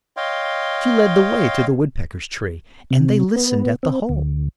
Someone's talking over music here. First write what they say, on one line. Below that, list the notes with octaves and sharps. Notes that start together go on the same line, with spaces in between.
She led the way to the woodpecker's tree, and they listened at the hole.
C#5 D#5 F5 G5 C6
C3
B3
C4
D2